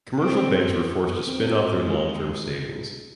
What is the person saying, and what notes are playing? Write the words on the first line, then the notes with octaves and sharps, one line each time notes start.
Commercial banks were forced to spin off their long-term savings.
C4
B3
C4
G#3